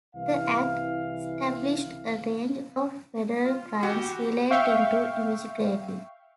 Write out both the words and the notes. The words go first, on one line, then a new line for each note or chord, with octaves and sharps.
The Act established a range of federal crimes relating to immigration.
C2 E3 F5
F4
E3 F#4 G4
E5 F5 G5 C#6